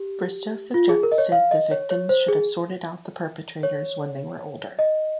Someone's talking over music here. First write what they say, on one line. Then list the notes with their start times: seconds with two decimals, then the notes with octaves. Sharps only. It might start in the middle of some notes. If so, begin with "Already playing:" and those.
Bristow suggested the victims should have sorted out the perpetrators when they were older.
Already playing: G4
0.74 F4
0.89 G#4
1.03 A#4
1.12 D#5
1.18 C#5
1.32 F5
1.51 D#5
1.71 C#5
1.91 C#5
2.09 C5
2.28 G#4
3.63 C#5
4.79 D#5